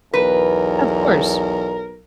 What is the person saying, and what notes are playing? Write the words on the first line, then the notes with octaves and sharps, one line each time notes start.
Of course.
B1 E2 A#4 B4